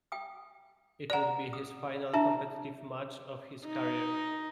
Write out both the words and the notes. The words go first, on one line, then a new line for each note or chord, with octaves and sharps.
It would be his final competitive match of his career.
G5 D#6
C5 D5 F#5 A#5
D#6
D4 E4 E5 A#5
D#4